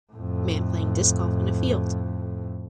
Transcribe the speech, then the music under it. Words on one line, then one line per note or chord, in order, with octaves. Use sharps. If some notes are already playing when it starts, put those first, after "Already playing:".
Man playing disc golf in a field.
F2 A2